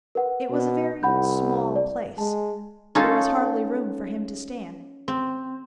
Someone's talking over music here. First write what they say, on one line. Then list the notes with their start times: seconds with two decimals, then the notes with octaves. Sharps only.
It was a very small place; there was hardly room for him to stand.
0.15 A#4 B4 F#5
0.50 B2
1.03 C2 F#5 B5 G6
1.76 D5
2.18 G#3 A5
2.95 C#4 D#4 F4 A4 F5
5.08 C4